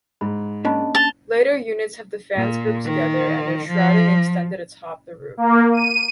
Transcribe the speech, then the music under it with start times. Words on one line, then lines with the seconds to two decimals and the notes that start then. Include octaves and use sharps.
Later units have the fans grouped together, and their shrouding extended atop the roof.
0.21 G#2 B5
0.65 A#3 C#4 D4 D#5 A5 B5
0.95 A5 A6 F7 G7
2.36 A#2
2.85 D#3
3.68 F3
5.37 A#3
5.73 D#7